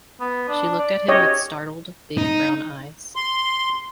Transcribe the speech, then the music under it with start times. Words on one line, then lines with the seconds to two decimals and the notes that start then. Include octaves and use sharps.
She looked at him with startled, big brown eyes.
0.20 B3
0.49 D4
0.79 D5
1.08 G4 C#5 D#5
2.18 D#4
3.16 C6